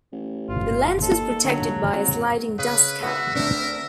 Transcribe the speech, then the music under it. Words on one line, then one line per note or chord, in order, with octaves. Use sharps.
The lens was protected by a sliding dust cover.
A1
G1 F4
D#2 A4
D3 F#3
G#1
C#3 B4
B3 F#4 E5
D2 C4 D4 A#4